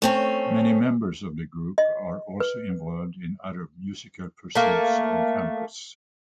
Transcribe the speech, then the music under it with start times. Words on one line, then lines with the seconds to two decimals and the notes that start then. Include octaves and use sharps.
Many members of the group are also involved in other musical pursuits on campus.
0.02 A3 C4 C#4
1.78 D#5
2.40 B4
4.55 A3 A#3